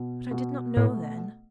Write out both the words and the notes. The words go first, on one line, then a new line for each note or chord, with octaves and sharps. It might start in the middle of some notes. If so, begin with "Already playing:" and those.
But I did not know then.
Already playing: B2
B2
A2 A3